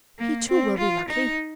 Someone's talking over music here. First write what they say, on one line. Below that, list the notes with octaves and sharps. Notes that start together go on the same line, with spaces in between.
He, too, will be lucky.
A#3
C4
F4
D#4